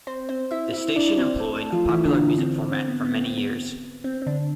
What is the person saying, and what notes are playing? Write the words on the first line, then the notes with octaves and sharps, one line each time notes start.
The station employed a popular music format for many years.
C4 C5
C4 C5
E4 E5
E4 E5
D4 D5
C4 C5
A3 A4
A3 A4
F3 F4
E3 E4
D3 D4
C4
C4
B3
B3
B3
C4
B3
C4
C4
D3 D4